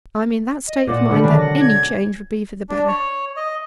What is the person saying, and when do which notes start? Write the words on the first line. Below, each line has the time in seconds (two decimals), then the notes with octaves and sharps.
I'm in that state of mind that any change would be for the better.
0.67 D#5
0.88 A#2 C5 D5 D#5 F#5 D6
1.11 B2 D3 G4 B5
1.24 D#3 F#3 G#3 D4 D6
1.39 F#5 A#6
1.60 D5 G#6
2.69 D4
2.88 C#5
3.36 D#5